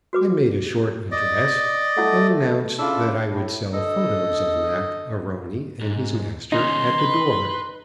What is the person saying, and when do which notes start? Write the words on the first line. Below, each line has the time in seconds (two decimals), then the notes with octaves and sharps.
I made a short address and announced that I would sell photos of Mac A'Rony and his master at the door.
0.13 F#4 B4 D6
1.11 D5 D#5
1.97 A3 E4 F#5
2.79 C#3 D4 E4 F4 A4
3.28 A2
3.73 D3 A4 D#5
5.81 G#2
6.52 D#3 C#4 D#4 C6
6.99 B4